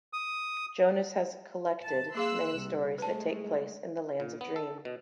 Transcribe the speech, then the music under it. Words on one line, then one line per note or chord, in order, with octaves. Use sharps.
Jonas has "collected" many stories that take place in the Lands of Dream.
D#6
A5
A#3 G#4 F5 C6 E6 F#6
C2
G#3 A3 B4 A5
A#2
B3
A4
B2